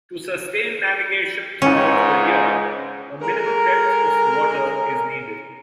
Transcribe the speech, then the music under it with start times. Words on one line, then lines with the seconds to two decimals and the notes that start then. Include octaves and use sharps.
To sustain navigation throughout the year a minimum depth of water is needed.
1.62 C#2 G#2 C#4
3.22 G#3 A4 A#4